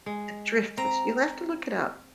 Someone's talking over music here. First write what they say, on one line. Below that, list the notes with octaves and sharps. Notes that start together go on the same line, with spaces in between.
The Driftless, you'll have to look it up.
G#3
C4 A#5